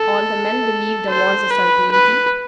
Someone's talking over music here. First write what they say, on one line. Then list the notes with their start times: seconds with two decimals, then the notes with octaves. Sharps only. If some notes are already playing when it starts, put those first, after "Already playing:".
All the men believe the war's a certainty.'
Already playing: A4
1.09 C5
1.51 B4
1.92 B4